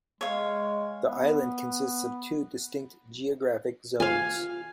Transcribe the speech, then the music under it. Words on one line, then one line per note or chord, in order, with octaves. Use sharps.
The island consists of two distinct geographic zones.
G#3 C#5 F5
B3
F4 F5 G#5